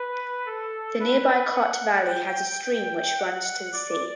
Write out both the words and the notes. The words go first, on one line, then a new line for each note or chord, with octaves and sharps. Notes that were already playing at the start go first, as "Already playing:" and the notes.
The nearby Cot Valley has a stream which runs to the sea.
Already playing: B4
A4
B4
F#5
G5
G5
F#5
D5